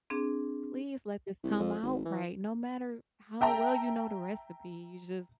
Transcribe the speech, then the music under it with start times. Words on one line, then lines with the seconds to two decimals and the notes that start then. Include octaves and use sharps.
"Please let this come out right," no matter how well you know the recipe you're just
0.10 C4 D4 G#4
1.44 C2
1.60 F2
1.82 G#1
2.05 E3
3.41 E5 G5 A5 A#5